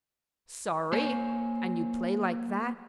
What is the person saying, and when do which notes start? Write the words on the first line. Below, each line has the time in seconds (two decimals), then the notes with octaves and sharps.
"Sorry!--and you play like that!"
0.92 A#3 C5 C#5 G#5